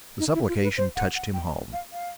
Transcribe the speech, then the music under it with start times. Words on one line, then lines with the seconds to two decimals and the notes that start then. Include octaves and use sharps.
The supplication touched him home.
0.19 D#4
0.34 E4
0.48 F4
0.63 B4
0.77 C5
0.96 F#5
1.15 F#5
1.34 G5
1.73 F5
1.92 F5